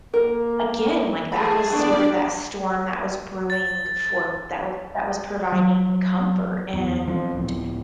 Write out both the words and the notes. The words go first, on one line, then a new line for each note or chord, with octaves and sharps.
again, like, that was sort of that storm that was brewing for that was that was providing comfort and
A#3 A#4
A3 G#4 A5 B5
E3 A3 B3 D4 D5
A6
F#3
E2
F3 C4
C#2 A2